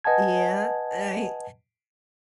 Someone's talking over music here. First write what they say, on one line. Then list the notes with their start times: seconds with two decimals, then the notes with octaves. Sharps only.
yeah, I
0.04 B4 D#5 F#5 G#5 A5 G#6